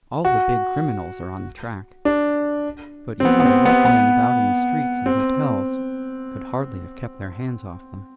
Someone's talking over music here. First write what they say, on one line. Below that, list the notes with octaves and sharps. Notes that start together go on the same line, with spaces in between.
All the big criminals are on the track; but even the rough men about in the streets and hotels could hardly have kept their hands off them.
F#4
D4
C4
B3
B3
C4
B3
B3
C4